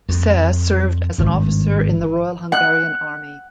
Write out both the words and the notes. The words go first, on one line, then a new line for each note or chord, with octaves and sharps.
Cseh served as an officer in the Royal Hungarian Army.
F2
G#1 G2
F#5 F#6